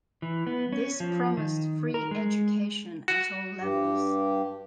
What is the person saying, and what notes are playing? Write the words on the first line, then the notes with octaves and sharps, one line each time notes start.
This promised free education at all levels.
E3
B3
C#4
F3
D#3
A#4
G#3
F#4
G2 G4